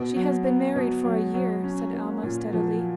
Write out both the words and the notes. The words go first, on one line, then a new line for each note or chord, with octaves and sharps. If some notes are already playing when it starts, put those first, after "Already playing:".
"She has been married for a year," said Alma steadily.
Already playing: B2
F#3
B3
B2
F#3
F#3
C#4
A#3
A#2
F3